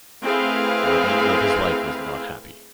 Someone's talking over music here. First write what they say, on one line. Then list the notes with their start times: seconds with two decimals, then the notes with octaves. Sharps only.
The remainder of his life was not happy.
0.24 A3 C4 E4 G#4 B4 F5